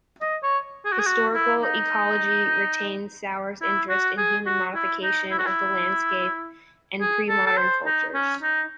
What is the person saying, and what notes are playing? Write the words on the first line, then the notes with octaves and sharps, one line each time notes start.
Historical ecology retains Sauer's interest in human modification of the landscape and pre-modern cultures.
D#5
C#5
G#4
F#4
G#4
F#4
E4
D#4
E4
F#4
G#4
F#4
E4
D#4
E4
F#4
E4
G#4
A4
A4
C5
D#4
C#4
D#4